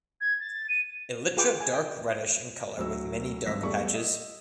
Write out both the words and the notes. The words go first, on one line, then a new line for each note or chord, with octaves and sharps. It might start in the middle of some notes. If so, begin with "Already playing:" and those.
Elytra dark reddish in color with many dark patches.
G#6
A6
D#7
F4 G#4 B4 G5 D6
G#5
G5
D2 F#3 E6
G#1 G2 E6 A#6 B6
E2 G3 A3 G#4 D5 C#6
D#5